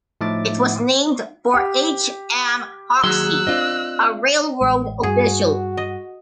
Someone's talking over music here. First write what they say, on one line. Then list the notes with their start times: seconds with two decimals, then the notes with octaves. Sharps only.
It was named for H. M. Hoxie, a railroad official.
0.21 A2 F3 D#4 E5 D6 A6
1.54 G4
3.04 D#2 F#3 G#4 C6 E6 F#6
3.47 C4 D4 F4 D#5
4.61 A1 G#3
5.03 G2 F#4 G#4
5.77 D#5